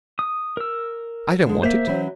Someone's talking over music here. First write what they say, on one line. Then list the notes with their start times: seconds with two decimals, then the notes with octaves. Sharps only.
I don't want it.
0.19 D#6
0.57 A#4 E6
1.46 D3 G#3
1.63 A#3 C5 E5
1.87 E3 F#3 C#4